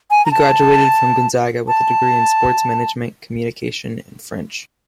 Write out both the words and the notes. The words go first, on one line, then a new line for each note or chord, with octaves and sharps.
He graduated from Gonzaga with a degree in sports management, communication and French.
G#5
A#5
A5
A5